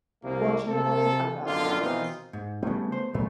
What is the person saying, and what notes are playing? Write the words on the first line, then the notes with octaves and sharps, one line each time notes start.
Fortunately I got bronze...
C2 A#3
C3 A4
F#2 B2 D3 D#3 F4
B2 D#3 E3 C4 D#4 F4
G#2
C#3 G3 A3 B3
C5
A#2 F#3 A3